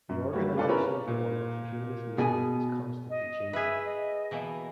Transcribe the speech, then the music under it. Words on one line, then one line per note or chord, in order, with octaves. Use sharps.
The organizational form of the Humanist Movement is constantly changing.
F#2
G3 A3 A#3 F#4 C#5
D4 F4 A4 B4 D5
B3 C#4 E4 A#4 B4 B5
A#2
B2 G#4 G#5
D#5
G#4 B4 E5
D#5
B2 E3 A#3